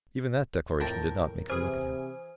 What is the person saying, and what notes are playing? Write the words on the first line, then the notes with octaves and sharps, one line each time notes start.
Even that declaration did not make her look at him.
F2 A2 A#4 G5 A5
C3 E3 G#4 C5